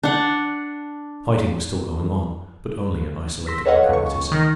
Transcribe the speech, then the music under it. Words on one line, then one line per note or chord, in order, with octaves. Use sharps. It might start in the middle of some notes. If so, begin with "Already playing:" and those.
Fighting was still going on, but only in isolated localities.
D4 F#5
C6 E6 A#6 B6
A4 B4 C#5 D#5 F5 F#5
C#2 C#6
D#3 F6 A#6